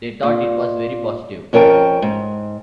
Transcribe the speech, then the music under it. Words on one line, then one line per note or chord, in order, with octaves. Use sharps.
They thought it was very positive.
A#2
F2 C#4 A#4 G5 A5
G#2